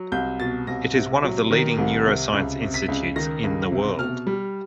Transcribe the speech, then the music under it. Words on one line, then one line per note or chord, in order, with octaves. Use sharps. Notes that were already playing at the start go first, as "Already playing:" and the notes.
It is one of the leading neuroscience institutes in the world.
Already playing: F#3
C2 G6
B2 A6
C2 A#6
C3
F#3
D#3
C2
C3
C#2
C3
B6
C#2
D#3 A#6
C#2
C3
B2 F6
G3